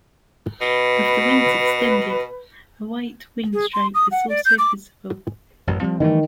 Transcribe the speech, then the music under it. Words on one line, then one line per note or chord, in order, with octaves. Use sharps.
With the wings extended, a white wing-stripe is also visible.
B2 B4
G#4
C6
D#6
F#5
D5
G6
D6
A1 F#2
F3 G3 C4
D#3 E3 G3 A3